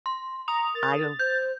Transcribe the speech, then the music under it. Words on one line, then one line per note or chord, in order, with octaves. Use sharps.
I don't
C6
A#5 D#6 F7
A#4 A6
C5 G6